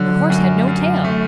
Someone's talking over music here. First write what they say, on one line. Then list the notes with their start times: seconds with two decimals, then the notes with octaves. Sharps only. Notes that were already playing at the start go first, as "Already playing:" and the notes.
Her horse had no tail!
Already playing: D3 F#3
0.30 F#2
0.68 F#2
1.04 A3